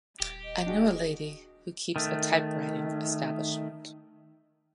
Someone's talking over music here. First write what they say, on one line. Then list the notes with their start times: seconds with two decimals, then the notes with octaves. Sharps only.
I know a lady who keeps a typewriting establishment.
0.20 D#1 G4
0.44 D#5
0.67 D4 F#4 G#4
1.96 D#3 A3